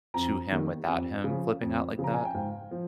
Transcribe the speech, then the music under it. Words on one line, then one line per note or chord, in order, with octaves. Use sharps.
to him without him flipping out like that?
F2 A#5
D#3 G3 A#3
F2
C#3
F3
F2
C#3 F3
A#5
G#5
G5
G#2 F5
F3